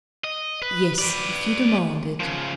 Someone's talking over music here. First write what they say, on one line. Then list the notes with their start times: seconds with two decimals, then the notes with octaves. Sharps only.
"Yes, if you demand it."
0.24 D#5
0.62 B4
0.99 B4 D5
2.20 C#3 F3